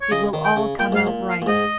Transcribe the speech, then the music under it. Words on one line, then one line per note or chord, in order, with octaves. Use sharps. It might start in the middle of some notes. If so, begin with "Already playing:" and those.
It will all come out right.
C#5
C#3 D#5
D#3
G5
C#3
A#2 G5
G#2 F5
A#2
F5
A#2
G#2 D#5